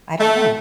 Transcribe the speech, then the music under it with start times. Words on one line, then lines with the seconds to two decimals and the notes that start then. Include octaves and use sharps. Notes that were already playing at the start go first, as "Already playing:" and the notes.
I don't know.
0.19 A3